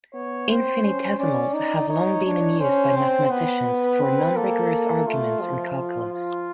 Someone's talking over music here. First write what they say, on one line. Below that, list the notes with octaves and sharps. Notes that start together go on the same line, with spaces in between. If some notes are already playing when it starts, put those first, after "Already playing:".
Infinitesimals have long been in use by mathematicians for non-rigorous arguments in calculus.
B3 C#5
C4 C5
C#4
C#4 D5
D#4
D#4 C#5
D4
C#4 C5
C4
B3 B4
C4
A#3 A4
A3 F4
F3
F4